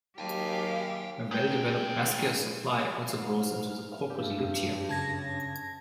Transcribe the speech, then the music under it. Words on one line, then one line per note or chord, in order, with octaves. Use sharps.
A well-developed vascular supply also grows into the corpus luteum.
D#2 F#3 G4 G#4 F5 G5 A5
G#2 G5
G#2 F5
F6
G2 G4
F#2
C#3 A5 G#6 A#6